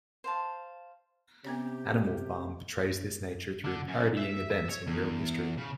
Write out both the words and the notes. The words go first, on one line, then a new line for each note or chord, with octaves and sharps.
"Animal Farm" portrays this nature through parodying events in real history.
C5 F5 A5
C3 B3 C#4 G4 C#5
D3
F#2
E5
E5
C#5
E2
C#3